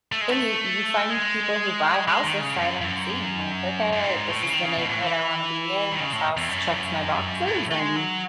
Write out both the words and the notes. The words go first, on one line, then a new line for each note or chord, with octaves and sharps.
and you you find people who buy houses sight unseen, like, "Okay. This is the neighborhood I wanna be in. This house checks my boxes, and
A3
G#3
A3
G#3
G#3
D#3
C#3
F#2
F#2
F#2
G#2
A2
C#3
D#3
C#3
B2
G#2
A2
E3
D#3
C#3
A2
E2
F#2
A2
A3
G#3
F#3